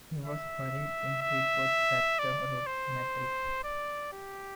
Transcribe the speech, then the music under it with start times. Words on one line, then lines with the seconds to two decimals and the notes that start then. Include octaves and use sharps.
He was buried in Freeport's Webster Road Cemetery.
0.24 E5
1.22 E5
2.19 D5
2.67 C5
3.64 D5
4.12 G4